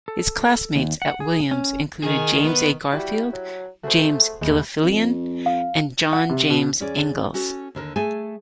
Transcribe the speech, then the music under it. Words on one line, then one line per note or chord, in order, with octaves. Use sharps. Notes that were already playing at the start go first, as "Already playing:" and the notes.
His classmates at Williams included, James A. Garfield, James Gilfillan and John James Ingalls.
A4
D#2
F#5
G#4
C#4
D#3 G#4
B3
G3 E4 F#4 G4
F#3
A3 F#4 G#4 C5
D#2 A2 G3 G#3
F2
F5
F#5
C3
B2
E2 C#4 G#4 D5
C#4 F#4 A4
D#2 D3 A#4
A3 G#4 A4 G#5